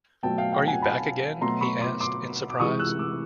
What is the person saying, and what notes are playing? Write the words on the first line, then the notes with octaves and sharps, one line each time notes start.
Are you back again? he asked, in surprise.
B2 F#3 A3 G5 A5
F5 G5
F5 G5
F#5 G#5
A5 B5
B2 F#3 A3 A#5 C6
B5 C#6
C6 D6
C6 D6
D6
C3 E3 G#3 C#6 D#6
E6 F#6
D6 E6